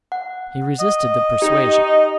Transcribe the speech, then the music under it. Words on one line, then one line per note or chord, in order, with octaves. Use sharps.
He resisted the persuasion.
F#5
D#5
D#4 G4